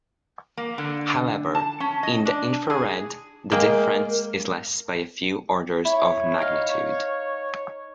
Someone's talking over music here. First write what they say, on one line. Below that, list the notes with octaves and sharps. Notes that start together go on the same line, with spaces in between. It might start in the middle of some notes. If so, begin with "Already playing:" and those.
However, in the infrared, the difference is less by a few orders of magnitude.
A#3
D3
A5
C#4
D#5
D4
G#4
G#3 A#3 A#4 G5
E4 C#5
D#4 F5